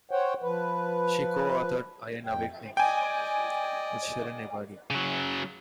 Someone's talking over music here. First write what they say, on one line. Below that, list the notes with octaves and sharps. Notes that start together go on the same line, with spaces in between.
She co-authored "Iran Awakening" with Shirin Ebadi.
C5 C#5 F#5 G5
F3 B4
F2 G5
D5 D#5 G5 G#5
C#3 F#3